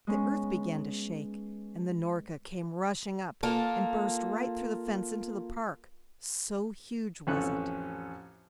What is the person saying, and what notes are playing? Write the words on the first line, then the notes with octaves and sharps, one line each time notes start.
The earth began to shake, and the Norka came rushing up, and burst right through the fence into the park, so huge was it.
G#3 B3 C#4
A#3 F4 A4
A1 F2 C#4 A4 F#6